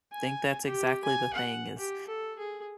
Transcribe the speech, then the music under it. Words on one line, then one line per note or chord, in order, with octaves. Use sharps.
think that's exactly the thing is,
G#5
G4
G#5
F#5
G4
A4
G#4